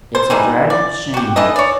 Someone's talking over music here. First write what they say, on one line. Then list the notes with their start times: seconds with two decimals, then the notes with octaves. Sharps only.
It's a dratted shame!
0.15 C5
0.30 D#3 E3 G3 G#3
0.70 D5
1.14 F#4 G4
1.36 E3 A3 D4 D#5
1.56 C#5 D5